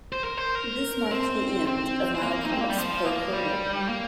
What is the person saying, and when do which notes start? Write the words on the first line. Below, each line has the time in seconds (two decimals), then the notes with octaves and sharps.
This marked the end of Malakhov's pro career.
0.12 C5
0.24 A#4
0.37 C5
0.55 A#4
1.11 C4
1.67 C4
2.14 C4
2.22 A#3
2.44 D#4
2.53 C4
2.61 A#3
2.70 G3
2.78 F3
3.05 A#3
3.33 G3
3.89 A#3